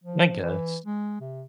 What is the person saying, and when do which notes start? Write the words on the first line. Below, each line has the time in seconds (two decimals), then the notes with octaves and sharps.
I guess.
0.04 F3
0.40 E3
0.85 G#3
1.21 C3